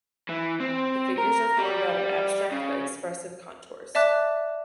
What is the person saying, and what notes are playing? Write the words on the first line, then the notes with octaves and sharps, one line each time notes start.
The figures are formed out of abstract but expressive contours.
E3
C4
A#4
G3
C#3
D5 E5 A5 D6 F#6